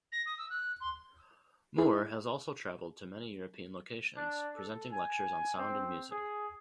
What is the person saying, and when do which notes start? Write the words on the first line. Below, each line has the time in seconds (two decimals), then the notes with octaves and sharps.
Moore has also travelled to many European locations, presenting lectures on sound and music.
0.12 A#6
0.26 D#6
0.38 E6
0.50 F#6
0.81 C6
1.78 E4 G#4
4.17 D4
4.57 A4
4.92 G#5
5.58 C4
6.11 G#4